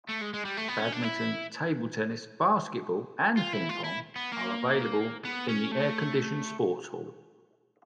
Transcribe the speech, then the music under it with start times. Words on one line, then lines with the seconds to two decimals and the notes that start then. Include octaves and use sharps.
Badminton, table tennis, basketball and ping pong are available in the air-conditioned sports hall.
0.09 A3
0.22 G#3
0.34 G#3
0.45 G3
0.57 A3
0.68 B3
0.79 C#4
0.92 D4
1.04 E4
3.37 F4
3.53 E4
3.69 F4
3.84 E4
4.16 B3
4.32 A#3
5.25 B3
5.49 C#4
5.72 A3